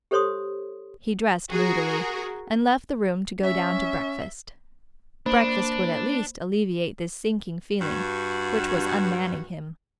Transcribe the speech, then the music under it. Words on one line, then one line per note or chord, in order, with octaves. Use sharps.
He dressed moodily, and left the room to go down to breakfast. Breakfast would at least alleviate this sinking feeling which was unmanning him.
G4 A4 C5 C#5 C6 D#6
F#4 G#4 A#4
C#4 E5
A#3 D4 C5 B5
G2 F#4